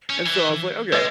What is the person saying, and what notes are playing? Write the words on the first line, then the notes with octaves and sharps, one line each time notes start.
and so I was like, "Okay,
C#4
E3
G#3 B4 D#5